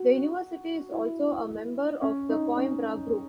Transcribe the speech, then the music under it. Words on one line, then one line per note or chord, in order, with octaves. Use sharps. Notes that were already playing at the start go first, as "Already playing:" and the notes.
The university is also a member of the Coimbra Group.
Already playing: F#4
E4
C#4
D#4
C#4